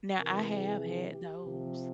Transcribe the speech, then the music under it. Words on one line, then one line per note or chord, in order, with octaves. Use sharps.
Now I have had those.
C3 A#4
E3
G#4
G4
C3 F3